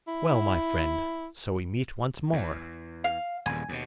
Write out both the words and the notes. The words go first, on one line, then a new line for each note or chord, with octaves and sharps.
'Well, my friend, so we meet once more!
E4
E2
F5
D#1 E2 G#5
D#2 B2